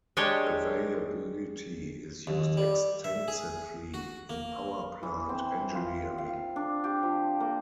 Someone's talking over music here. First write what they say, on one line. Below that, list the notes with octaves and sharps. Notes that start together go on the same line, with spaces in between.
Availability is used extensively in power plant engineering.
G#3 D4 G4 C#5
D#2
G3
E5
G#4
F#4
A#3
E3
C4
F4
F5
D4
G4
F3
A#3